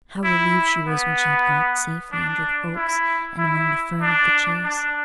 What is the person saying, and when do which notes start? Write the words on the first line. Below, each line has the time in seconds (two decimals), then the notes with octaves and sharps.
How relieved she was when she had got safely under the oaks and among the fern of the Chase!
0.24 E4
0.87 B3
2.13 D4
2.76 E4
3.38 E4
4.01 D4
4.64 D4